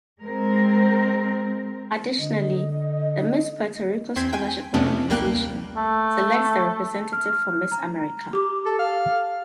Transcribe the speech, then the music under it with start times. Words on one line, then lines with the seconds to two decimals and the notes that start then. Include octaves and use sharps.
Additionally, the Miss Puerto Rico Scholarship Organization selects the representative for Miss America.
0.23 G#3 C4 A#4
2.19 D3 D#5
4.16 E2 C4 C6 G6 G#6 B6
4.33 G5 G#5
4.74 F2 C3 A3 B3 C#4 D4
5.08 A#1 D#2 G3 A#3 G5 F#6
5.77 A3
7.13 F6
7.72 A#5
8.33 G4 D6
8.66 A4
8.79 F5